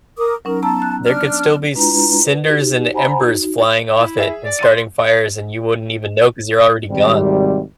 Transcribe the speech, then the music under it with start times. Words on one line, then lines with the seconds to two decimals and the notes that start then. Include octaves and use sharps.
There could still be cinders and embers flying off it and starting fires, and you wouldn't even know 'cause you're already gone.
0.17 A#4 D6 D#6
0.45 F#3 C#4 D#4 A#4
0.62 B3 A5 A#5 E6
0.82 F#6
1.05 D4 F6
1.76 G#3 D4 E4 F4 B4 A#5
2.24 B4
2.48 D#4 F#4 G4
2.93 C5 F#5 G#5 A#5 B5
3.19 D#4 F#4
3.98 E4
4.18 G#4 E5
4.45 D5
4.59 C6 A6 D#7
6.90 G#1 C3 G3